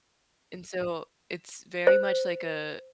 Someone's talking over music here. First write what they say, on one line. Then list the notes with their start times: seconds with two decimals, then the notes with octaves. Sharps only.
And so it's very much like a
1.87 C5